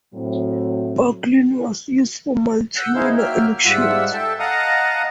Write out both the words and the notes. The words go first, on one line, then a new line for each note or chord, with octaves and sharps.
Bucklin was used for multiwinner elections.
A2 F#3 C4
F#5 E6 G6
D#4 E4 G#4 C5 F5
F#3 A#3 E5 G5 F6
G#2 G3 F4 E5 F#5 E6
A4 E5 G5 A5
D#5 F5 F#5 A5 A#5 D#6